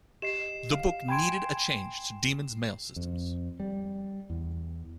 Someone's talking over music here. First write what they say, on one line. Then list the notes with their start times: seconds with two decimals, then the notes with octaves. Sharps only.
The book needed a change to Demon's mail systems.
0.22 G4 D#5 C7 E7
0.72 F5
1.08 G5 G#5 B5 C6 G#6 D7
2.96 F2
3.60 G3
4.30 E2